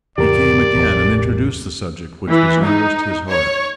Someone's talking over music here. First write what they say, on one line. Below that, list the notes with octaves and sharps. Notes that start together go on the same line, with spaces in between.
He came again, and introduced the subject which was nearest his heart.
E2 G#2 C#3 G4 A#4 D5
A1 E2
E3
D#4
C#5